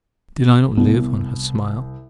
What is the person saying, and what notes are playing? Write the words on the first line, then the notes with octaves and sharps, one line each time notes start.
Did I not live on her smile?
C2 B3